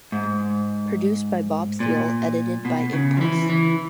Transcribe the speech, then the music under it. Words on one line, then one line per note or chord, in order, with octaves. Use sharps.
Produced by Bob Thiele, edited by Impulse!
G#2
A#2
B2
C#3
F3
E3
E3